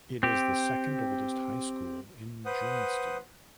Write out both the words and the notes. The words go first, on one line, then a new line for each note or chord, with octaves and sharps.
It is the second oldest high school in Germiston.
C4 G4
B4 C5 F#5 D#6